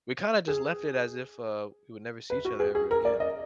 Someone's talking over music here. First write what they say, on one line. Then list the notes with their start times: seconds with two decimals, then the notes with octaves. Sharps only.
We kinda just left it as if uh, we would never see each other ever again.
0.48 G#4
2.30 B4
2.45 F#4
2.60 G#4
2.75 G#4
2.91 A#4
3.05 D5
3.20 D#5